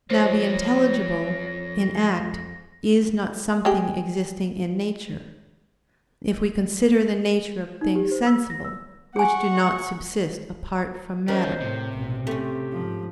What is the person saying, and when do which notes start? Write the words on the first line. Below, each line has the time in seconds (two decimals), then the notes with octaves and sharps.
Now the intelligible in act is not something existing in nature; if we consider the nature of things sensible, which do not subsist apart from matter.
0.10 F2 F3 C5 C#5 A#6
3.65 G#3 G4
7.81 D#4
7.95 G4
8.11 C5
8.26 E6
8.50 A#6
8.64 E6
9.16 G#4 F#5 G#5 C#6
11.28 E2 C#4 A#4 C5 D#5
11.61 A2 C3
11.93 A1 B2
12.27 A3 C4 C#4 G4
12.72 G#2 F3